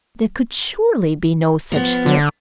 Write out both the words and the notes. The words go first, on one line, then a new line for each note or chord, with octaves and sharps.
There could surely be no such slip!
F3 B3
D3